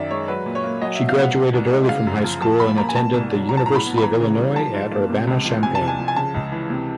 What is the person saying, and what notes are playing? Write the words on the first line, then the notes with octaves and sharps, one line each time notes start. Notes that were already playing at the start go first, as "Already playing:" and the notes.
She graduated early from high school and attended the University of Illinois at Urbana-Champaign.
Already playing: F#2 D#3 D5 E5
G#3 C#5
F#3 B4
A#2
C#5
A#3
F#3 D#5
B2 E5
F5
B3 F#5
B2
C2
G#3
C#3 F5
F#2
F3
F3 A5
A#2 B5
A#3 A#5
G#5
B2 A5
C2
F#3
F#3 A#5
A5
A2 A#5
B5
B3
B5
E3 A#5
C#3
G3
F3 A5
G#2
A#3
C3
C#2
F3
C3 G#5
A5
C2
G#5
F3
G#5
C#3 A5
C#2
E3
C3